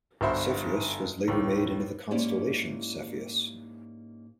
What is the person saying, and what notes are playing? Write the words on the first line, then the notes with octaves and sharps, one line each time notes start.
Cepheus was later made into the constellation Cepheus.
G1 G2 F#4 C5 E5 B5
D#2 A2
G#2 A#3 C#4 E4 G4 D5